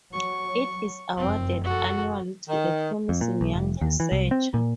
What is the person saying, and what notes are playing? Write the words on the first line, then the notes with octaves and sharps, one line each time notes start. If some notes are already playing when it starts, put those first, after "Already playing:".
It is awarded annually to a promising young researcher.
F#3 C#6
F1 F#2 C4
F#4 A4
D#3
F2
A#2
B1
F1
D#2
E3
C2
C4
A#2